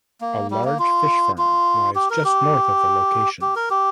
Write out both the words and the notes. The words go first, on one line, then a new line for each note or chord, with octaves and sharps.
A large fish farm lies just north of the location.
A#3
G3
A#3
F4
F4
G4
A#4
G4
G4
A#4
G4